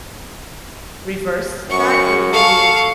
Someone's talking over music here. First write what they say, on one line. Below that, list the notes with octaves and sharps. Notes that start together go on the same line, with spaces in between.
reverse that, it would be
F#2 C#6 C#7
A4 F5 C#6